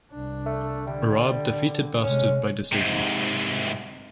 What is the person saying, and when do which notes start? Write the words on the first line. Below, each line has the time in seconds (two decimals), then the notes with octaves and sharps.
Urabe defeated Bastard by decision.
0.12 C2 D4
0.46 A3
0.87 D3 G3
2.04 C3 G#3 C#4
2.72 G#2 C3